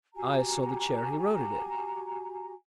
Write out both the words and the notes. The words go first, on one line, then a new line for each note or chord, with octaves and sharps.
I saw the chair he wrote it in.
F#4 G4 G#5 A#5